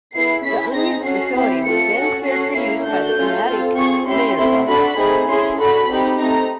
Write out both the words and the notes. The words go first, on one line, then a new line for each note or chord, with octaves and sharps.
The unused facility was then cleared for use by the Umatac Mayor's Office.
B3 E4 G#4 C7
C#4 E4 G#4 B6
C4 D#4 G#4 A#6
C#4 F#4 A4 C7
C4 E4 G4
A3 C4 F4 A4 C#7
C#4 F#4 A4
C#4 F#4 A4 C7
A#3 C#4 E4
A3 D4 F#4 A4 G6
A3 C#4 F4 A4
C4 F4 A4
C4 F4 G#4 C#6
C#4 E4 G4 C6
A3 C4 E4
D4 F#4 A4 B5
A3 C4 D#4 G#4
C#4 E4 G#4 C6
D4 F#4 A4 B5
C4 D#4 G4
A3 C4 D#4 A#5